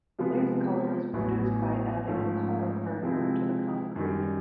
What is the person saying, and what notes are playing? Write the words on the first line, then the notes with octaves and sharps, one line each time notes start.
The base color is produced by adding a color hardener to the concrete.
C3 F3 G#3 B3
A1 A2 F#3 B3 E4
G#2 F3 A3 C#4
C3 F3 G#3 C4 E4
F#2 D#3 G3